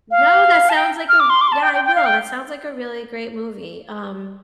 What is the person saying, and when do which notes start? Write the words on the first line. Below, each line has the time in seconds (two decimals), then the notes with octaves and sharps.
No, that sounds like a r yeah, I will. That sounds like a really great movie, um,
0.11 F5
0.69 A5
0.76 G5
1.09 F6
1.20 D6
1.30 C6
1.41 D6
1.48 C6
1.52 A5
1.63 G5
1.74 G5
1.85 G5
1.95 F5
2.06 G5